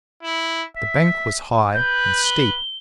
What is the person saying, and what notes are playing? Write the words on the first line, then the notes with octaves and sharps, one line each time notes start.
The bank was high and steep.
E4
E5 B6
B4 G6
G7